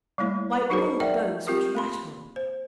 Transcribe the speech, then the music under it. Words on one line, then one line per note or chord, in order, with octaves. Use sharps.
My old bones would rattle.'
G3 A3 A#3 E4 C#5
F#3 D#4 F#4 G#4 A#4 C5
A#4 D5 E5 F#5 G5
C4 F4 G4 A#4
A#3 B5 C6
C5